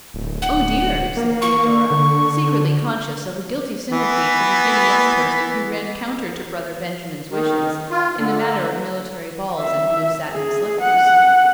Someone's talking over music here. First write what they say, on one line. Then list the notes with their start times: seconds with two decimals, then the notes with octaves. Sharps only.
"Oh, dear!" said Theodora, secretly conscious of a guilty sympathy for the giddy young person who ran counter to brother Benjamin's wishes, in the matter of military balls and blue-satin slippers.
0.14 D1
0.42 D1 F#5
1.17 A#3
1.42 C#6
1.91 D3
3.92 E3 B3
7.31 D#3
7.91 F4
8.18 D3
9.59 E5
10.31 G#4
10.81 F#5